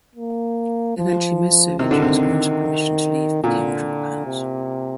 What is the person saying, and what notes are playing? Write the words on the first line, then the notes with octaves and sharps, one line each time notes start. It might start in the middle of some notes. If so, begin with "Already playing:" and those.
Eventually, most Soviet Jews granted permission to leave became dropouts.
A#3
F3
C3 D#3
D3
C3
A#2 D3
C3